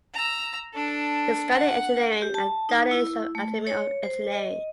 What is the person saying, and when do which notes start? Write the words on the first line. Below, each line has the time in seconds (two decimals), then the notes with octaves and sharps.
He studied engineering at the Danish Academy of Engineering.
0.14 A#5 E6
0.74 D4 A4
1.50 F#5
2.22 G4
2.34 A5
2.69 D#4
2.91 E4
3.35 A3
3.67 C#5
4.03 C5
4.32 D#5